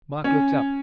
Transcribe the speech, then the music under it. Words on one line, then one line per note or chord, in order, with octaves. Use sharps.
Mike looked up.
C#4